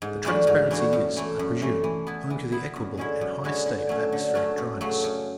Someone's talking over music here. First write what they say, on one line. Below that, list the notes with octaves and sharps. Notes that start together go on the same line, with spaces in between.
The transparency is, I presume, owing to the equable and high state of atmospheric dryness.
G#2
E3 A3 D4 F#4
G#2
E3 A3 D4 F#4
F#2
E3 A3
F#2
E3 A3
E3
B3 E4
E3
B3 E4
F#2
D3 G#3 C#4 E4
F#2
D3 G#3 C#4 E4
D3
F#3 A3 C#4
D3
F#3 A3 C#4
F#2
C#3 F#3 A3
F#2